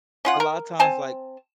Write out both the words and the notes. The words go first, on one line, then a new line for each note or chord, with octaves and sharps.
a lotta times, like,
C#4 F4 F#5
A#4
C4 G#5 A5